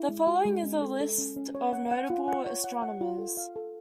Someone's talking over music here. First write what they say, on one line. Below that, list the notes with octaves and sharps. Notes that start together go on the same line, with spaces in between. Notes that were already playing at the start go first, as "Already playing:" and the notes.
The following is a list of notable astronomers.
Already playing: E4
G#3
F#4
G#3
C#4
A4
A4
C#4
C#4
C#5
F#5
F#5
F4
F#5
C#5
F#5
F#5
F4
A4
F5
A4